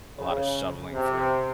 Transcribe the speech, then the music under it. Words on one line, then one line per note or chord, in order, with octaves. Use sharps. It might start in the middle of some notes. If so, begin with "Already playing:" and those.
a lotta shoveling for
C#3
C3